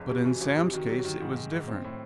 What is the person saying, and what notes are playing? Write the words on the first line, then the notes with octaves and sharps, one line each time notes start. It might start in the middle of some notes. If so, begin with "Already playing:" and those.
But in Sam's case it was different.
Already playing: G1 F2 G#3
C3 G4
E3 F#4
G1 F#4
C3 G4
D#3 F#4
F#3 G4
F#4
D#3
G#2
G#2
G#2
C4
A2